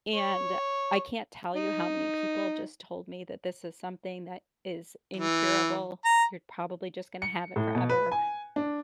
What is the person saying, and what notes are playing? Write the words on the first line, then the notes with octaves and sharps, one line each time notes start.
And I can't tell you how many people just told me that this is something that is incurable. "You're probably just gonna have it forever.
C#5
D#4
E3
A#5
C#7
A2
B2
B4
G#5
D4